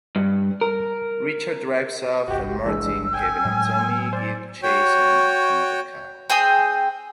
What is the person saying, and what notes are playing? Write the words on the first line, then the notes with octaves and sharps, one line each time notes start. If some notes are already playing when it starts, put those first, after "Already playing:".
Richard drives off and Martin, Kevin and Tommy give chase in another car.
G2
A#4
G1 C2 F#4 G4
E3 G#3 D4 E6
G5 G#5
A2 F#3 G#3
C5 D5
F#4 C#5 G5
C4 G#4 G5 D#6